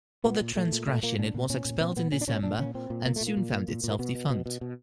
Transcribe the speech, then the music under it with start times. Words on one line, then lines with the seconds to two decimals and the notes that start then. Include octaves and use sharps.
For the transgression it was expelled in December, and soon found itself defunct.
0.24 A#2 B3
0.41 A#2
0.56 A#2 A3
0.72 A#2
0.87 A#2 A3
1.03 A#2 A#3
1.19 A#2 D4
1.34 A#2
1.43 C4
1.50 A#2 C#4
1.65 A#2
1.80 A#2 C4
1.96 A#2 B3
2.12 A#2 C#4
2.21 D4
2.28 A#2 C#4
2.43 A#2 D4
2.59 A#2 C#4
2.74 A#2 C4
2.90 A#2
3.05 A#2 A#3
3.16 A#2 A3
3.27 A#3
3.37 A#2
3.52 A#2
3.68 A#2
3.84 A#2
3.90 A#3
3.99 B2 B3
4.15 B2
4.30 B2
4.46 B2
4.61 B2